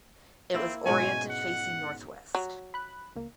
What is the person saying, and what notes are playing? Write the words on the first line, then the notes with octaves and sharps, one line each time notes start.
It was orientated facing northwest.
A#3 C4 E4
G#2 B2 C#4 G#5
F#5
F#3
B5 F#6
C#2 A#3